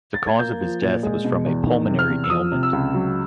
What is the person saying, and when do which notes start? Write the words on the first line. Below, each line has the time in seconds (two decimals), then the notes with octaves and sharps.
The cause of his death was from a pulmonary ailment.
0.14 A6
0.27 G#6
0.39 A#3 G6
0.61 F3
0.82 A#2
1.03 G#3
1.25 B2
1.46 E2
1.67 D#3
1.87 C3
1.99 F6
2.10 E2
2.24 E6
2.30 F3 D#6
2.52 C3
2.63 E6
2.73 C#2
2.94 F#3